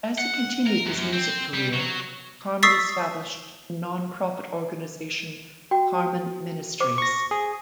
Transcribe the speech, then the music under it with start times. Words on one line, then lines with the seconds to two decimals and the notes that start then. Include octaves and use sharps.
As he continued his music career, Carman established the nonprofit organization Carman Ministries.
0.18 F#5
0.67 A#4
0.86 F#2
1.13 C4
1.54 G3
1.73 F#3
2.63 C#6 D#6 E6 A6 B6 C7
5.71 F#4 G5
6.80 C5 D6
6.98 C#6 A#6
7.31 G#4